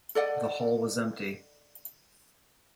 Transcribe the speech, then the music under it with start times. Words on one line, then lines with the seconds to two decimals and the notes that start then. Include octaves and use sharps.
The hall was empty.
0.15 A4 D5 D#5 F#5